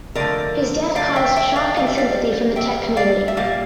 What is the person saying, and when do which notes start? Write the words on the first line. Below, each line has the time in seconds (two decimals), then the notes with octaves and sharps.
His death caused shock and sympathy from the tech community.
0.15 D3 F3 A3 A#4 D5
0.96 D3 F3 A3 D5 F5
1.16 E5 G5
1.36 E5 G5
1.56 D5 F5
1.76 D3 G3 F5
1.87 E5
1.98 D5 F5
2.56 D3 G3 E5 G5
2.97 D5 F5
3.28 E5
3.37 A#2 G3 D5 F5